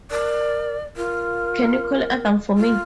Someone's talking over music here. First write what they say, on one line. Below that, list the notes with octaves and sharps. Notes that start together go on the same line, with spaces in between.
Can you call Adam for me?
A#4 D5
F4 A#4
F4